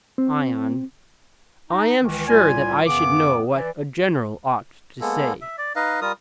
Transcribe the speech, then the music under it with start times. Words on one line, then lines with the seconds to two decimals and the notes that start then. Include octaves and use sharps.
ION: I am sure that I should know what a general ought to say.
0.18 C4
1.69 D#4
2.01 C#2 D#3 E3
2.28 C2 A2 G3 F4 G#5
2.86 F#2 C#3 E3 B3 D6
3.54 E3 D5
5.01 G#3 A#3 B3 A4
5.41 E5
5.58 D5
5.76 D#4 B4 D#5 F5
6.01 G3 F4 A#4 D#6